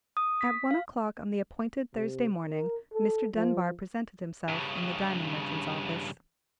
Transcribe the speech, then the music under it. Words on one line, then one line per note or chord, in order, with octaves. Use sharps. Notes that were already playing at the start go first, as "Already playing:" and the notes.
At one o'clock on the appointed Thursday morning, Mr. Dunbar presented himself in the diamond-merchant's office.
D#6
B6
F5
C3
A#4
A4
F3
G2 C#3